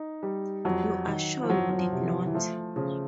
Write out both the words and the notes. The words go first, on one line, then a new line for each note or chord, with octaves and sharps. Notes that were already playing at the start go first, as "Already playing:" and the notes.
You are sure you did not?
Already playing: D#4
G3
F2 F#3
D#3
F3
F2 F#3
F#3
F3
C3
E3
E3
F3 A3
C#3 F3